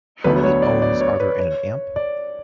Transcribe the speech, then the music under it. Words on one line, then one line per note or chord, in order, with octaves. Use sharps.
How many ohms are there in an amp?
D2 D3 F#3 B3 B4
C#5
D5
D5
C#5
B4
C#5
D5